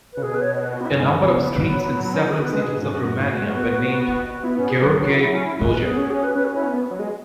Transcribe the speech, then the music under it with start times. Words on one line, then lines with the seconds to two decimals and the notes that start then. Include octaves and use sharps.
A number of streets in several cities of Romania were named "Gheorghe Doja".
0.13 C#3 B4
0.23 B2 G#4
0.34 B4
0.41 C#5
0.55 C#5
0.61 B4
0.71 F#4
0.81 B3
0.86 E4
0.90 F#2 C#4
1.00 G#2 G#3
1.12 F#2
1.18 G#3
1.25 B2 B3
1.37 C#3
1.51 E3
1.63 F#3
2.14 C#4
2.24 E4
2.28 G#4
2.34 F#4
2.42 B3 B4
2.53 G#3 B4
2.62 B2 G#4
2.72 B2
2.78 G#2 C#4
2.90 F#2 F#4
3.04 F#2
3.16 G#2
3.29 B2
3.42 G#3
3.55 B3
3.67 B3
4.43 B3 E4
4.57 C#4
4.69 G#4
4.82 F#3 B4
4.92 G#4
5.01 F#4
5.10 E4
5.21 E4
5.33 C#4
5.45 E4
5.59 G#3 F#4
5.71 B4
5.78 B3
5.85 G#4
5.91 B3
5.97 C#4 G#4
6.10 F#4
6.23 B4
6.35 C#4 B4
6.45 F#4
6.54 C#4 E4
6.64 B3
6.74 B3
6.91 F#3
6.99 G#3